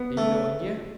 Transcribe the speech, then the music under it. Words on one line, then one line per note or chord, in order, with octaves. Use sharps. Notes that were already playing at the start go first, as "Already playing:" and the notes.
"Then you know India?"
Already playing: B3
A3